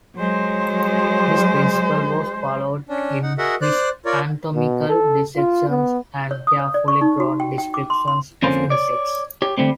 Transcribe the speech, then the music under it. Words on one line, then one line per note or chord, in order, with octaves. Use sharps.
This principle was followed in his anatomical dissections and carefully drawn descriptions of insects.
F#3 G#3 C5
C#4 D4
D#4 F#5
F#4 G#4 A#4 D#5 E5 F#5
C5 D5 F#6
F4 A#4 C#5 D5
B2
A4
F4
B3
C#5
D#6
C#5
D5
C#6
D#4
F#4
G5
G5
D6
C6
C6
F2 D3 A#3 C#4 C5
C#5 D5
G4 C#5
D3 G3 A3 C4